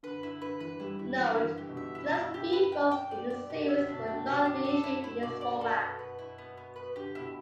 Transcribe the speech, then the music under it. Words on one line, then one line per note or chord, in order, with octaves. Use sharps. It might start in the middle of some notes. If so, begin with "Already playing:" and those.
Note: The last three books in the series were not re-issued in this format.
D3 B4
D3 E4
D3 B4
E3 B4
G3 E4
E3 E4
E3 E4
D3
E4
E3
G4
B2
D3 E5
E4
B2
E4
D3 G4
B4
G5
G5
D5
D5
B2 G4
D3
E5
D3
B2 D4
D3 G5
B2 G4
D3 D4
A4
E4
E4
B2 D5
D5
A4
B3
B4
E4
B3
B3
B4
D3 G4
B2 E4